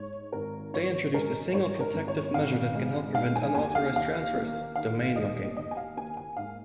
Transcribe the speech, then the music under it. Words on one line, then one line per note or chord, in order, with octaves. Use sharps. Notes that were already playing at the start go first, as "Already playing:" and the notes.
They introduced a single protective measure that can help prevent unauthorized transfers: domain locking.
Already playing: G#2 C#5
G#1 A#4
G#1 C#5
G#3 A#4
G#2 C#5
A#4
G#1
C#5
G#1 F5
G#3
D#3 F5
G#5
D#2 G#5
F5
D#2 F5
A#3
D#3 F5
D#2 D#5
D#2 D#5
G#5
F5
A#3 G#5
G#5
G#2 F5